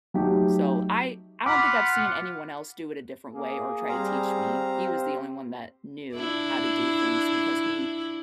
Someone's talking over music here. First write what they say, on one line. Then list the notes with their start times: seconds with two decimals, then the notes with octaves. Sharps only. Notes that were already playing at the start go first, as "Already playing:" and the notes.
So, I I don't think I've seen anyone else do it a different way or try to teach me. He was the only one that knew how to do things because he
0.14 F#3 A3 D#4 G4
1.46 F4 F#5 B5 D6
3.31 A#3 G#4
3.89 G3 C4 G4 C5 F5 A#5
6.15 D4 E4